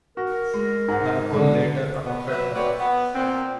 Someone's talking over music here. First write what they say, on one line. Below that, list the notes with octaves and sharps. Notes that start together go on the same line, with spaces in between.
Naipaul later adopted her.
F#4 A#4
G#3
G#2 G#4 F#5
D3 G#3
B3
F#3 B4 E5
C4 F#4 B4 C#5 D5 E5
B3
A#2 C4